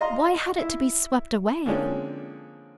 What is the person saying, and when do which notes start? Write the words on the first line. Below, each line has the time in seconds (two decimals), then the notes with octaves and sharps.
Why had it to be swept away?
0.01 D#5 F5 A#5 C6
0.59 E4
1.66 D3 F3 G#3 A#3 C4 C#4